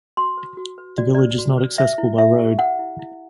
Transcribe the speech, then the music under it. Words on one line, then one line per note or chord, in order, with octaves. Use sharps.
The village is not accessible by road.
F#4 C6
B4
F#4
B4
F#4 D5
B4 D5
F#4
B4
B4 E5
E4
E4 E5
G4
B4 F#5
E4
E4